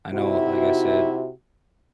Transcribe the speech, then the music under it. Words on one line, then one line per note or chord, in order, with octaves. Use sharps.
I know like I said,
C3 D#4 E4 F#4